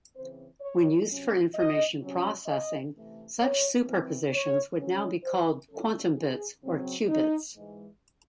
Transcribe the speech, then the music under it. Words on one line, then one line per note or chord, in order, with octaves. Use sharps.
When used for information processing, such superpositions would now be called "quantumbits" or qubits.
C#3 E3 C4 C5
C#5
C3 F#3 C#4
D#5
C3 F#3 C#4
D#5
C3 E3 A3
C#5
F#2 E3 C4
C#5
C#3 F#3 C#4
C5
F#2 C#3 F#3 C#4 A4
G#4
C#3 F#3 C4
D#4
G#2 E3 G#3